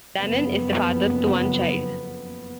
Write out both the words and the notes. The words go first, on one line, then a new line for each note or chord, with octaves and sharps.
Danan is the father to one child.
F#1 F2 B3